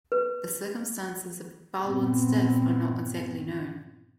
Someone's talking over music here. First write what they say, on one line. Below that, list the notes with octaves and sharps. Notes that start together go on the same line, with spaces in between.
The circumstances of Baldwin's death are not exactly known.
B4
G2 A#2 B3 C4